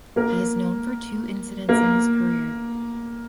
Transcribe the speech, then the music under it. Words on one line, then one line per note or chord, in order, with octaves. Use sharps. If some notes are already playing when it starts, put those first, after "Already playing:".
He is known for two incidents in his career.
A#3 A#4
A#3 A#4